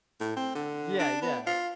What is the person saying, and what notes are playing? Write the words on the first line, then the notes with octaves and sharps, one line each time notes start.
Yeah, yeah.
A2
C4
D3
D4
B3
F4